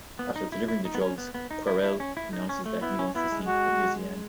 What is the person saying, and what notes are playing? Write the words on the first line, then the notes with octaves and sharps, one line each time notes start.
After delivering the drugs, Querelle announces that he wants to sleep with Lysiane.
B3
D#4
E4
E4
D#4
B3
C#4
B3
B3
D#4
E4
E4
C#4
E4
D#4
C#4
A3
B3 E4
C#4
B3 E4
G#3
F#4